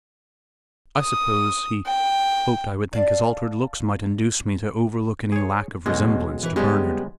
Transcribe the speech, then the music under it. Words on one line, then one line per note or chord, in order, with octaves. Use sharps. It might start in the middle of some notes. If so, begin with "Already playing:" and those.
"I suppose he hoped I would think his altered looks might induce me to overlook any lack of resemblance to Bernard."
D#6
G5
D5 F5 A5
G#4 C#5
B1 E2 B2 G#3 B3
E3 B4
C#3 G3 G#3 B3 G4